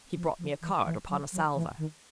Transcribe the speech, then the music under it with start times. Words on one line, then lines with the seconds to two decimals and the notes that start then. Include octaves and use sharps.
He brought me a card upon a salver.
0.16 F3
0.39 F3
0.62 E3
0.85 E3
1.09 F#3
1.32 F#3
1.55 E3
1.78 D#3